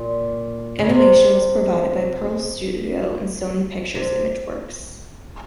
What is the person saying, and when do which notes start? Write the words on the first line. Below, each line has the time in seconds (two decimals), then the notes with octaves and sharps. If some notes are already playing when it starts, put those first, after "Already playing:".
Animation was provided by Pearl Studio and Sony Pictures Imageworks.
Already playing: A#2
0.79 C#3
0.89 C3
3.95 C3